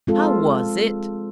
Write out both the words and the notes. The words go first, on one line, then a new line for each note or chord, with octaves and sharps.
How was it?
G#3 C4 F4 A4